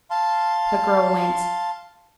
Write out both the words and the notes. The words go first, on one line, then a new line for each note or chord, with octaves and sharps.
The girl winced.
F5 A5 C6